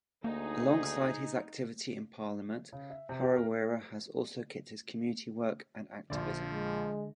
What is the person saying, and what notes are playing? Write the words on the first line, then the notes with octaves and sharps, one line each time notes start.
Alongside his activity in Parliament, Harawira has also kept his community work and activism.
D2 A#3 D#4 G#4
C#3
E5
C3
G4
A#4
A#1 D3 F3 D5
G#3